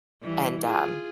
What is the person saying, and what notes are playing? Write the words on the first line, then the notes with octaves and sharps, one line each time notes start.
and, um,
E3 G3
F4 G#4